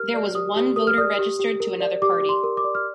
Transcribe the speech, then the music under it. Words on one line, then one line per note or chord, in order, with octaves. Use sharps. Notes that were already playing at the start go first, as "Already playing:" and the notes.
There was one voter registered to another party.
Already playing: G4 A#4 F6
D5
G4 D#6
G4
A#4 D#6
F6
D5 D#6
G4
G4
A#4
D5
G4 D6
G4
C6
A#4
D6
D5
F6